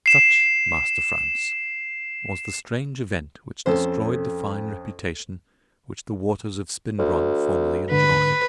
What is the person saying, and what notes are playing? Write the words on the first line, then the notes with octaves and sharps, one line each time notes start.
Such, Master Frantz, was the strange event which destroyed the fine reputation which the waters of Spinbronn formerly enjoyed.
C7 E7
F2 C#4 A4 C5
D2
G#2 D3 B4